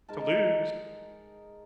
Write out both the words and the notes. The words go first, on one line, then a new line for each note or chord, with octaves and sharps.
to lose.
G#3 D#4 A#4 A5